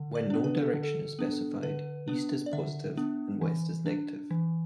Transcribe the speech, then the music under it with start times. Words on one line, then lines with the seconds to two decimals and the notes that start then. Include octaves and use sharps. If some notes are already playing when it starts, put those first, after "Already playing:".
When no direction is specified, east is positive and west is negative.
Already playing: D3
0.15 D5
0.30 B3 D4
0.44 B4
0.57 A4
0.74 D3
0.83 A4
1.19 B3 D4
1.63 D3 B4
2.08 B3 D4
2.46 D5
2.53 D3 E5
2.97 B3 D4
3.41 E3
3.86 D4
4.31 E3